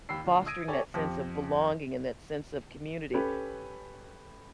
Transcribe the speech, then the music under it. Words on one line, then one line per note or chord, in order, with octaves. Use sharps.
fostering that sense of belonging and that sense of community,
D#2 G4 B5 E6 C7
A#2 D3
D#6 E6 G#6 A#6 D7 D#7
G4 A4 C#5 D5 G#5
F2 G4
C#4 G4 A4 B4